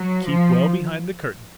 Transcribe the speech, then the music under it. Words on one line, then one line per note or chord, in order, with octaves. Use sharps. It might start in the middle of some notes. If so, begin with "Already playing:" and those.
Keep well behind the curtains.
Already playing: F#3
F3